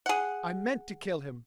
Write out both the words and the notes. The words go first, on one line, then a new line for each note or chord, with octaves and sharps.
I meant to kill him.
G#4 F#5